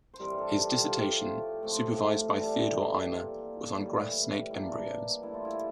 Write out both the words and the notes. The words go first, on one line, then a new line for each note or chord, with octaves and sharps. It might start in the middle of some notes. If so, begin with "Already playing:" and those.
His dissertation, supervised by Theodor Eimer, was on grass snake embryos.
C5
G2 E3 G3 C4 A#4
A4
G4
F4
A2 F3 A3 G4
A2 F3 A3 C4
E3 G3 D4 A4
A#2 F3 A#3
A2 E3 G3
E3 A#3 D4
A2 G3 D4 E4
F4
E4